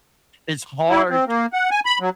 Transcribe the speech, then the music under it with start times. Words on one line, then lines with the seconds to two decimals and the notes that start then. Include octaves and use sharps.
it's hard
0.90 E4
1.10 C4
1.27 A#3
1.53 F#5
1.71 G#5
1.86 B5
2.00 F#3